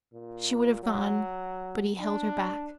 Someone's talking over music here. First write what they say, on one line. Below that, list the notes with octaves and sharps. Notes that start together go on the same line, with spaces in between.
She would have gone, but he held her back.
A#2
F#3
D4